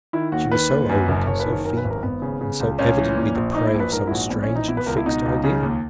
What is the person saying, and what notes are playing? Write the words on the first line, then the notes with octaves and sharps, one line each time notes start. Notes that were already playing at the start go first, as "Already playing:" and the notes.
She was so old, so feeble and so, evidently the prey of some strange and fixed idea.
D#3 E4
D#2 F#4
D#3 B4
D#2
F#2
F#1
F#1 C#5
B4
D#3
C#5
F#2 A#4
B4
G#1
A#4
G#1 B3
C#3
C#3
C#2
C#2 C#4
E3
A#2
A#1
A#2 D#4
E4
A#1
B4
G#2 A#4
E4
A#1 F#4
A#1 B3
C#4
E3
D#4
B2 E4
B4
C#2 A#4
E4
B2 D#4
C#2
C#3
D#2